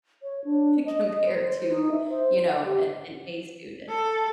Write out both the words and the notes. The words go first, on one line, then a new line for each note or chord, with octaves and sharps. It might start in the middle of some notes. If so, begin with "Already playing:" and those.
compared to, you know, a an A student.
C#5
D4
D#5
D#5
C5
C5
D#4
E5
C5
F#5
G4
A4